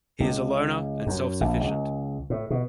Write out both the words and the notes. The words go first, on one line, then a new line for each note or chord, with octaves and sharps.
He is a loner and self-sufficient.
C#2
F#2
A#1
C#2
A2
B2